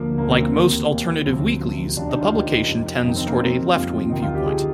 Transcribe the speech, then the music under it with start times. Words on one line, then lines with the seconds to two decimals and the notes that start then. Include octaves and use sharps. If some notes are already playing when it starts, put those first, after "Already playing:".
Like most alternative weeklies, the publication tends toward a left-wing viewpoint.
Already playing: D2 D3 F3 A#3
0.18 D2 D3 F3 A#3
0.30 C4
0.42 A#3
0.55 D#2 D#3
0.90 D#2 D#3
1.25 D2 C3 F3 C4
1.61 D2 C3 F3
1.96 D#2 D#3 D4
2.09 D#4
2.21 F4
2.33 D#2 D#3
2.68 F2 C3 D#3
3.04 F2 C3 D#3 D#4
3.16 C4
3.27 A#3
3.39 F2 C3 D#3 C4
3.75 F2 C3 D#3 F4
4.10 D2 C3 D#3 D#4
4.22 F4
4.35 G4
4.46 D2 C3 D#3 G#4